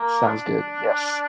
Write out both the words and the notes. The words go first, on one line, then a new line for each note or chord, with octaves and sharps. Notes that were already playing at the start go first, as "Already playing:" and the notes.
Sounds good, yes.
Already playing: A#3
D4